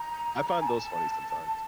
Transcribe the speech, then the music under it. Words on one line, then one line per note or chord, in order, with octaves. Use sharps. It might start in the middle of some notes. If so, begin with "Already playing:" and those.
I I find those funny sometimes.
Already playing: A#5
G#5
A5